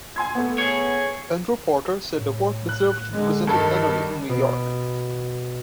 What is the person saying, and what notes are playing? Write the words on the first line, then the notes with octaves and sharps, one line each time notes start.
Andrew Porter said the work deserved to be presented annually in New York.
G#5 C6 G#6
A3 B3
G#4 C#5
A2
F#6
D3 G#3
G2 D#3 G3 A4
B2